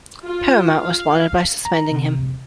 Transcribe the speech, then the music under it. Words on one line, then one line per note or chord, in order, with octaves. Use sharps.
Paramount responded by suspending him.
F4
F5
A#5
C3